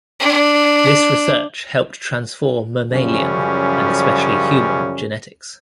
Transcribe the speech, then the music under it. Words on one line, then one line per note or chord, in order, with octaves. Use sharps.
This research helped transform mammalian, and especially human, genetics.
D4
F#2 C#3 F3 G3 C#4